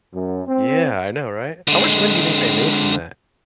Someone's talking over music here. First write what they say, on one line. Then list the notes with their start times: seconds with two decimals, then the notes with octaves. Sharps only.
Yeah I know, right? How much money do you think they made from that?
0.14 F#2
0.47 C4
1.68 D3 G#3